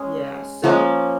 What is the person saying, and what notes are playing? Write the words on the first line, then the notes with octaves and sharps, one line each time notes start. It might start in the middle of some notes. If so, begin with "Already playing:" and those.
Yeah, so,
Already playing: G#3 C#4 G#4
F3 A#3 C#4